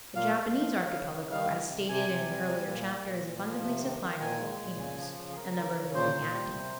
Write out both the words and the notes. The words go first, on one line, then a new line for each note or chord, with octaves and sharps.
The Japanese archipelago, as stated in an earlier chapter, is abundantly supplied with volcanoes, a number of them being active.
A#2 F5
G#3
F3
C#3
C#3
C#3
G3 F5
D#3
C3
C3 G#5
C3
G3
G3
A#2
G3
A#2
A#2
F3
C3
D#3
D#3
A#2 G#5
G#3
A#2
C#3
F3
C#3
G#4
C#3 A#4
C#3
C#3
A#2 C5
A#2
G3
C3